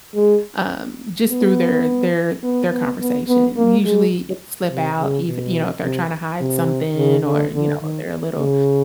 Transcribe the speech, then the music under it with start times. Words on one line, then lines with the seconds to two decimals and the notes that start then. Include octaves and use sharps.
um, just through their their their conversation. Usually, it'd slip out, ev you know, if they're trying to hide something or, you know, they're a little
0.16 G#3
1.30 B3
2.43 B3
2.71 B3
3.00 B3
3.28 B3
3.57 A#3
3.85 G#3
4.71 C3
4.99 C#3
5.27 B2
5.83 C3
6.41 C3
6.96 C#3
7.25 D3
7.54 D3
7.81 D#3
8.39 C#3